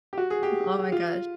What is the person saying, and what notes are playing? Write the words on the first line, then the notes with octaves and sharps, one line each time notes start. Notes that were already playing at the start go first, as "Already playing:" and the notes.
oh my gosh.
G4
F#4
G#4
G4
F4